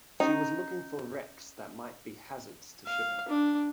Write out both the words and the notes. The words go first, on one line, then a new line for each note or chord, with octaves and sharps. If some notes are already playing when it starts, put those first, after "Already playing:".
She was looking for wrecks that might be hazards to shipping.
C#4 D#4 E4 G4
F5
D4